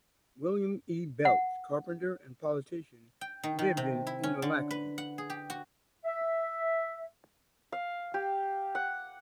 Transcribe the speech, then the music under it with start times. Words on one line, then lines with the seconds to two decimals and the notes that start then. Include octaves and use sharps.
William E. Beltz, carpenter and politician, lived in Unalakleet.
1.25 F#5
3.21 G5
3.43 D#3
3.59 D#3
3.77 C3
4.07 E4
4.23 C#4
4.42 D3
4.71 B4
4.98 F#5
5.18 G#4
5.30 G4
5.50 F#4
6.05 E5
7.72 F5
8.14 G4
8.75 F#5